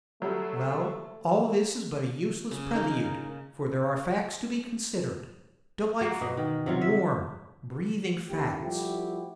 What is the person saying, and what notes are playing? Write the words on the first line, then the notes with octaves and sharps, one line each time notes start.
Well, all this is but a useless prelude, for there are facts to be considered--delightful, warm, breathing facts!
F#3 G3 A3
C#3
A#3 D#4
A#3 F#4
B2
D#3
C3 F#3 F4
E5
A1 D#2 E4 G4
F3 G3 A3 E4 F#4 G4